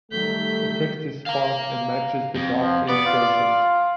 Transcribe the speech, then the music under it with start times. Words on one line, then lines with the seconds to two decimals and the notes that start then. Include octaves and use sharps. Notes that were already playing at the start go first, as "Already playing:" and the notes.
The text is sparse and matches the dark illustrations.
0.11 D#3 F#3 G3 A3 A4 G6 B6
1.26 F5 A#5
2.35 F2
2.62 F3
2.89 B3 D5
3.06 F4